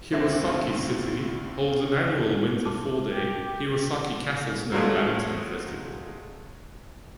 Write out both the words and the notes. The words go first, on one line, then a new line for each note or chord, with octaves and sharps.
Hirosaki city holds an annual winter four-day "Hirosaki Castle Snow Lantern Festival".
D2 G2 C4 A4 E5
F#4 A5 D6
G4
A#2 F#3 G#3 A3